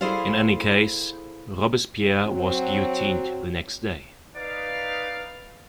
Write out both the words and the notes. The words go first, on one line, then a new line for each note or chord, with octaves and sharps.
In any case, Robespierre was guillotined the next day.
E4 G#4 A4 C5 D5 F5
F#3 C4
D#4 B4 D5 F5